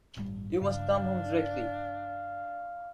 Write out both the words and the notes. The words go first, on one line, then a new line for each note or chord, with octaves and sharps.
You must come home directly.
A1 G2 G3
G2 C#3 D4 F5